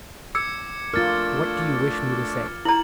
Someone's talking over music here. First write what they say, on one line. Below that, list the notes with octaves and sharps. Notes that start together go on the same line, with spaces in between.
"What do you wish me to say?"
D6 E6 G#6 C#7
A3 D4 F4 A#4 F6 A6
E4 A#5 F#7